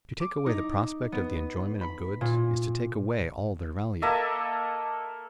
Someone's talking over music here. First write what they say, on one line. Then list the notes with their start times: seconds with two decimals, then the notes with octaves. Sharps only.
To take away the prospect of the enjoyment of goods is to take away all their value.
0.20 D6
0.46 D#4
1.12 B3
1.81 B5
2.21 A#2
4.02 A#3 A4 D#5 E5